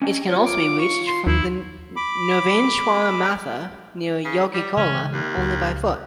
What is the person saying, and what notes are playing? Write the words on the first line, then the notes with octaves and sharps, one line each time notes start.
It can also be reached from Nirvaneshwara Matha near Yogikolla, only by foot.
C#4 D#5 G5
F4 C#5
D6
C#6
C6
D#2 D#4 E4
B5 D6
C#3
G3
C#3 E3 G#3 C#4
D#2
C#2